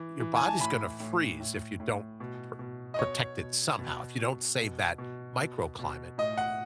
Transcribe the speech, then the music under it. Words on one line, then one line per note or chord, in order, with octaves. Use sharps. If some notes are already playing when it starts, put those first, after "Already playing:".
Your body's gonna freeze if you don't, pr protect it somehow, if you don't save that microclimate.
Already playing: E3
E3
G#5
A5
A2 B5
A2
A2
A2
B2
B2
D#5
B2 C#5
B2
B2
B2
B2
B2
B2
B2
A2 D#5
F#5